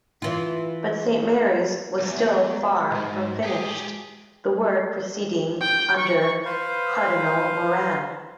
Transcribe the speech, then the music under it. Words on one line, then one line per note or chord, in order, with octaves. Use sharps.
But Saint Mary's was still far from finished, the work proceeding under Cardinal Moran.
E3 F4
B1 E2 G#3 F#4
C2 G#2
G4 G#4
G5
C#6
B4 C5 F5